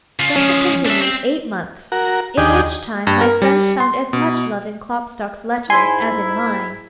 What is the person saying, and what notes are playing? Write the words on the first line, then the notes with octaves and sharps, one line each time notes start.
Thus it continued eight months, in which time my friends found as much love in Klopstock's letters as in mine.
C#3 F4
F3 G#3 C#4
D4 E5
C4
F#4 A#4
D#2 D4 G4 G#4 D#5
G2
A#4
G3
C6
B2
G#2 E4 G#5 C6